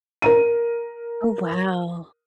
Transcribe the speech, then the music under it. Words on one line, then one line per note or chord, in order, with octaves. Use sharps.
Oh, wow.
A#4 A#5 D#7